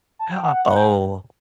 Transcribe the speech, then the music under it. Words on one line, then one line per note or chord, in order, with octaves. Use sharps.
Ha Oh.
A5
G5
F#5
F#5
F#5
G5